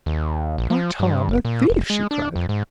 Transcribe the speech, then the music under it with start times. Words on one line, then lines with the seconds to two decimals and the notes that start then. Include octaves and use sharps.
"Our Tom a thief!" she cried.
0.06 D#2
0.58 A#1
0.70 F3
1.00 G2
1.29 F#1
1.45 A#2
1.70 F1
1.90 G#3
2.11 D4
2.36 F2
2.49 G#2